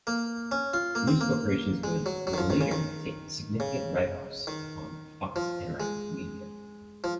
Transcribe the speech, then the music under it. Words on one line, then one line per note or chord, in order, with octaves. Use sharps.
News Corporation would later take significant write-offs on Fox Interactive Media.
A#3
C#4
F4
A#3
C4
A#3
G#3
F#3
F#3
D#3
F3
D#3
C#3
D#3
C#3
D#3
F3
G#3
F3